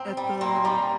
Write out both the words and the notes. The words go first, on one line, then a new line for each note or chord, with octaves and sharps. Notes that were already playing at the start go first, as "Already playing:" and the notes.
at the,
Already playing: C4 G5 A#5
G3
A#3 C6
A#5
G#5 C6
G3 A#5 D6